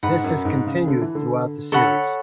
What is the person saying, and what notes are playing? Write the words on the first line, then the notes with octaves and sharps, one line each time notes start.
This is continued throughout the series.
G#2 B4 F#5 B5
F#2
G#2
C#3
D3
E3
D3
D3 A4 C#5 F#5 B5